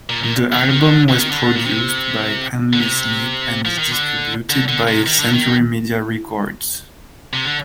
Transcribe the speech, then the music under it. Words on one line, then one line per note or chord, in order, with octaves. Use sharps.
The album was produced by Andy Sneap and is distributed by Century Media Records.
A#2
A#2
D#3
D#3
D3
D3
D#3
D3
A#2
C3
D3
C3
F3
D#3
D3
D3
D3
C3
D#3
D3
D#3
C3
D3